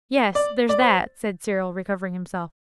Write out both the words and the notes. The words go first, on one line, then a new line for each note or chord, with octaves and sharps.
'Yes, there's that,' said Cyril, recovering himself.
D5
D5
C5